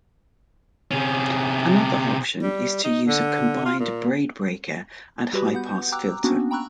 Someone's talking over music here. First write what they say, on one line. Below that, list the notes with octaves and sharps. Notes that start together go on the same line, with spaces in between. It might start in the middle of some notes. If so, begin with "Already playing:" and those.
Another option is to use a combined braid breaker and high-pass filter.
C3 C#4
G3
D#4
D3
F4
A#2
G3 F#4 G4 B4 B5
B3 F#5 G6
G5 A#5 D6 E6 F#6
A#3 B3 C#4 D4 F#4
G5 A#5 B5 C#6 E6 F#6